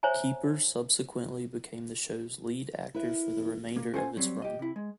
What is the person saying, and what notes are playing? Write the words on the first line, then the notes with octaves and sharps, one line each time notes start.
Keeper subsequently became the show's lead actor for the remainder of its run.
C5 C#5 E5 G#5 A#5
E4 A#4 B4 E5
A#3
C#4 F4 A4 C5 F#5 G#5
F#3 G3 C4
G4 D#5
C3 E4
G#3